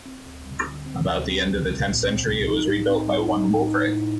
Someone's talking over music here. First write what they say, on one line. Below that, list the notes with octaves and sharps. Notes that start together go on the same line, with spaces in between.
About the end of the tenth century it was rebuilt by one Wulfric.
C4
D2
G3
D3
C4
D2
C4
C2
G3
A#2
C4
C2
D#4
A2
C4
G3
D#4
A2
D#4
A2